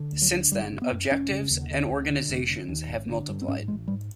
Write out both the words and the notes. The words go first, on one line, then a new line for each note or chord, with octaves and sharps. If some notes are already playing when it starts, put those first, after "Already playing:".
Since then, objectives, and organizations, have multiplied.
Already playing: D3
D2
F#3
D3
G1 G3
C#3
B3
F#2
F1 C#4
C#3
D#2
D3
D2
D3
F1
D3
D#2
G#1
D3
G2
C4
G#2 C#4
A1 G#3
G#2 G3